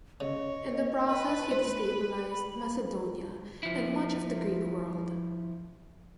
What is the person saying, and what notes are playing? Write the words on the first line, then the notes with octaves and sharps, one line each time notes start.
In the process he destabilized Macedonia and much of the Greek world.
C#3 C#5 D#5
B4
C5
B5
F3 E4